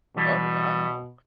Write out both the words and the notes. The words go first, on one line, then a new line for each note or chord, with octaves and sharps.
Oh wow,
B2 E3 G3